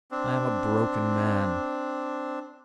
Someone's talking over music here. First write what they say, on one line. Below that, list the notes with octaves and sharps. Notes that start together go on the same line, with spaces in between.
I am a broken man.
C4 D4